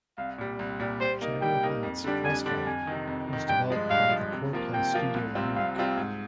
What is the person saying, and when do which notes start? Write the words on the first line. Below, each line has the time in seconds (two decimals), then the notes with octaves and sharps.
"Jagged Alliance: Crossfire" was developed by the Coreplay Studio in Munich.
0.18 C2 F5
0.38 A#2 G3
0.59 C2
0.80 A#2 G3
1.01 G3 C5
1.21 A#3 D#4
1.41 G3 G5
1.63 A#3 D#4
1.83 F2
2.04 D3 G3 D4
2.24 F2 G#5
2.46 D3 G3 D4
2.66 F2 G#5
2.87 C3 D#3
3.07 F2
3.28 C3
3.33 D#3
3.49 G2 G5
3.70 F3 G#3
3.90 G2 F5
4.11 F3 G#3
4.32 C3
4.53 F3 A#3 F4
4.73 C3 G5
4.94 F3 A#3 F4
5.14 C2
5.35 C3 G3 C4 F4
5.56 C2 F5
5.76 C3 G3 C4 F4
5.98 G#2